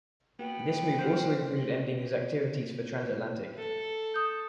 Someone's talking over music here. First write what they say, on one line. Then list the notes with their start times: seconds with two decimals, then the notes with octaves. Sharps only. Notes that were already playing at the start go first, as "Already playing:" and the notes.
This move also included ending his activities for Transatlantic.
0.39 A#3 B3 F#4 G5
0.99 C5 F5 F#5
3.58 A4
4.14 D#6 G6